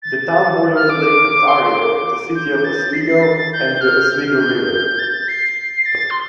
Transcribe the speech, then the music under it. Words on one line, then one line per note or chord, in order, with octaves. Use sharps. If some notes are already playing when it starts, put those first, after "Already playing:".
The town borders Lake Ontario, the City of Oswego, and the Oswego River.
A6
F6
D6
C6
C6
D6
G6
A6
C7
A6
C7
A6
A6
G6
F6
G6
F6
G6
A6
A6
C7
A6
C6